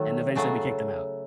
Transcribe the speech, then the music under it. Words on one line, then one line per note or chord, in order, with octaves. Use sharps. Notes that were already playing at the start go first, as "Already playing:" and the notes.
and eventually we kicked them out.
Already playing: D#3 F#3 A3
C#3 F#3 A3